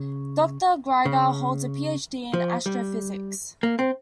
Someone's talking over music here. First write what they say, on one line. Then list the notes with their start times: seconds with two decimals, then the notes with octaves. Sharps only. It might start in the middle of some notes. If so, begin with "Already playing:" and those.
Doctor Grygar holds a Ph.D. in astrophysics.
Already playing: C#3
1.06 C#3
2.34 F3
2.66 G3
3.63 A#3
3.79 C4